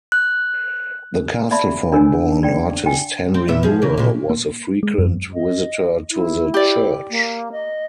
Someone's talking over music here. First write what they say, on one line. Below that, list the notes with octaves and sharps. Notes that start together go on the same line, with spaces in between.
The Castleford-born artist Henry Moore was a frequent visitor to the church.
F#6
D5 E5 A5 B5
D4 A#4 C#5 G#5
D5 G5
G5 G#5
C4
A#2 B3 E5
F3 G#4
C#3 A#3
A#2 E3
A#3
G#3
F#2
D#5
E4
G4 D5
A#3
D#5